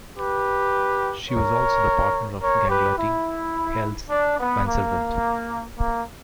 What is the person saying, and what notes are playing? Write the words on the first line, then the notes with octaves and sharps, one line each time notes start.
She was also the partner of Ganglati, Hel's manservant.
G4 B4
A#4 C#5
A#4 C#5
G4 B4
E4
D4
B3
A#3
A#3